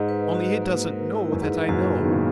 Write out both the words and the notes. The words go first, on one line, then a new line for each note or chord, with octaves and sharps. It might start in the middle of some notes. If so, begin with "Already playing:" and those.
Only he doesn't know that I know.
Already playing: G#2 D#5
B4
F#4
A#3
A#4
E4
F#2
G#2 B4
F#2 A#2 F#4
C#3 B3
D#3
A#2 C#3